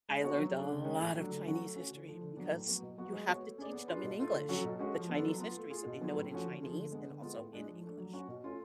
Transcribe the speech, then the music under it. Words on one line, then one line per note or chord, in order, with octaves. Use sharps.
I learned a lot of Chinese history because you have to teach them in English. The Chinese history, so they know it in Chinese and also in English.
G#3
B3 F#4 C#5
F#3
A3 D4
C#3
G#3 C#4
A2
F#3 A3 D4
D3
F#3 C#4 F#4
A3
C#4 F#4
D3
F3 A3
D3
F#3 B3 D4
A2
F#3 B3 F#4
B2
F#3 B3 F#4
G#3
B3 F#4 C#5
A3
C#4 G#4 D5
B3
D4 F4 G#4 B4
B2
A3 F4 A4
D3
F#3 C#4 F#4 A4
B2
G#3 C#4 F#4 A4
F3
B3 D4 F4 A4
F#3
B3 F4
A3
F4 G#4
B2
F#3 B3 F4 G#4
A2
F3 A3 C#4 F#4
D3
F3 A3 F4 G#4
D3
G#3 B3 D4
D3
G#3 B3 F4 G#4
A2
G#3 D4
F3
A3 D4
F#3
C#4 F#4
B2
A3 C#4 F4